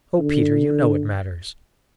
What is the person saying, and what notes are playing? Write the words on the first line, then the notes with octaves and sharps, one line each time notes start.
"O Peter, you know it matters."
D3